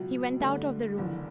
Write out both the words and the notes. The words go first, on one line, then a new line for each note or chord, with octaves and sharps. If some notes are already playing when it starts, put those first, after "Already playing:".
He went out of the room.
Already playing: C#2 B2 F#3
G2 D3 A3
F#1 E2 D3